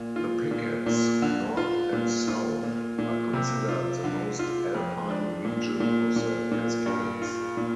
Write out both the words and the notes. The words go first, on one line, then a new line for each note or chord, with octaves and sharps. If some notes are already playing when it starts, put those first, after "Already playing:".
The Pickets, north and south, are considered the most Alpine region of the Cascades.
Already playing: A#2
F4
A#2
A#2
D3
F4
A#2
F4
A#2
A#2
C3
F4
D3
F4
F2
D4
A#2
A#2
A#2
A#2
G2
F4
A#2